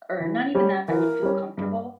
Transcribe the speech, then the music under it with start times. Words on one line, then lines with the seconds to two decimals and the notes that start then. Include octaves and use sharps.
or not even that I would feel comfortable,
0.20 E3
0.55 G3 C#4
0.88 E3 A#4
1.22 G3 C#4
1.57 G2